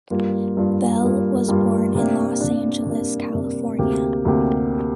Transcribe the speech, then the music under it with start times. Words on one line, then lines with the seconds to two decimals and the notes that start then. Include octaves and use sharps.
Belle was born in Los Angeles, California.
0.10 G2 G3 A#3 F4
0.57 G2 G3 A#3 F4
1.03 G2 G3 A#3 F4
1.48 G2 G3 A#3 F4
1.95 C3 A#3 D4
2.41 C3 A#3 D4
2.86 C3 A#3 D4
3.33 C3 A#3 D4
3.79 D2 C3 A#3 G4
4.25 D2 C3 A#3 G4